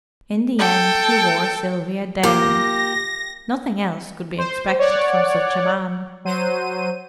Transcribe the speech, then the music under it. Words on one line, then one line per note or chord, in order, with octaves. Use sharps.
In the end he wore Sylvia down. Nothing else could be expected from such a man.
A4 G5
A#3 F4 G4 D6 A#6
C5
C#5 D5 F#5
F#3 C5 D#7